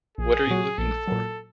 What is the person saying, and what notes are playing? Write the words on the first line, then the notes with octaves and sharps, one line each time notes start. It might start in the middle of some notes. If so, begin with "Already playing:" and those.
What are you looking for?
A#1 G#4
A#2 F#3
A#1 A4
A#2 F#3